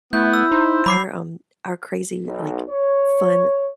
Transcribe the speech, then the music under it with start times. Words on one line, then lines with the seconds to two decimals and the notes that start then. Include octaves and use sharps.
our, um, our crazy like fun
0.13 A3 B3 E4 G6
0.34 E6
0.52 D#4 C5
0.86 F#3 B5 D6 C7
2.25 B1
2.69 C#5